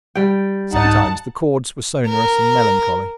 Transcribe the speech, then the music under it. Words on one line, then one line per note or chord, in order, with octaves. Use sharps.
Sometimes the chords were sonorous and melancholy.
G3 G5
C2 G#2 D#4 F#5 A5 A6
A#4